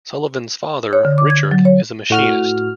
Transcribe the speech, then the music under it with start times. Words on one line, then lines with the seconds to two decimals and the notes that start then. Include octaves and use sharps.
Sulivan's father, Richard, is a machinist.
0.93 C#5
1.05 D3
1.18 D6
1.30 G#6
1.51 F#3
1.65 C#5
2.10 A2 F#4 F6